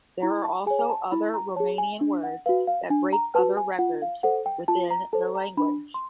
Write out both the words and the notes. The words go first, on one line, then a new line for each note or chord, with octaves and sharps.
There are also other Romanian words that break other records within the language.
E4 A#5
A5
G#4 C#5 G#5
G#5
A5
E4 B5
A#5
G#4 C#5 A5
G#5
D4
F#5
F#4 B4 F5
F5
D4 G#5
A#5
F#4 B4 A5
G#5
F4 F#5
F5
A4 C5 F#5
G5
F4 A5
A#5
A4 C5 A5
A#5
D4 B5
C6